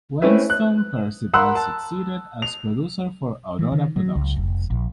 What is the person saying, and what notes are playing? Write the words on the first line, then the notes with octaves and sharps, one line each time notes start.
Weston Perceval succeeds as producer for Aurora Productions.
A3 C4 C#4 E4 B4 E5
F#6
A#4 F#5 B5 C6 E6 F#6
A5
F7
E3
D#3
F#3
C#2
F1
A#1